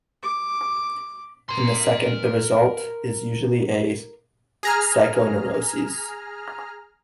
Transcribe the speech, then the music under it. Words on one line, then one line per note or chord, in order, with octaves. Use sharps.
In the second the result is usually a psychoneurosis.
D6
A#4 C6
G#4 A#5 F6